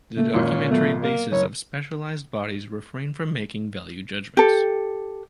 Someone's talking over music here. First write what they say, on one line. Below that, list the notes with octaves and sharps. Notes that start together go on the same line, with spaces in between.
The documentary bases of specialized bodies refrain from making value judgments.
C#3 A3 A#3
G#1 A#2 C#4 C6 D6
F#3 A3 B3
A#3
F#1 C#5
G4 A4